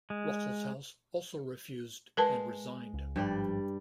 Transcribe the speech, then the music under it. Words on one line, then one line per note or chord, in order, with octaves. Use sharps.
Ruckelshaus also refused and resigned.
G#3
G#3 A#4 B4 A5
C#2
G#1 G2 F3 G3 D5